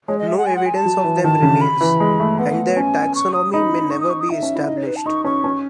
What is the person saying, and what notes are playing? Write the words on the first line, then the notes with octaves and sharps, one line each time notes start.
No evidence of them remains, and their taxonomy may never be established.
G#3 C#5
D#5
E5
F#5
G#5
F#5
G#5
A5
F#3
E3
D#3 A5
C#3
B5
E3
G#3
A3
B3 F#5
A3
B3
C#4 G#5
C#6
D#6
D#4 B5
C#6
D#6
C#6
D#6
D#4 E5
C#4
E4
D#4 D#5
C#5
B4
A5
D#4 C#6
C#4 C#6
C#4